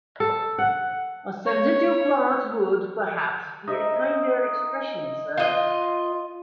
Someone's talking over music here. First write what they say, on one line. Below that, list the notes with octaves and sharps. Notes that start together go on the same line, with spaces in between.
A sensitive plant would, perhaps, be a kinder expression, sir.
A4
F#5
C#5
D#4 D#5 E5
F4 D#5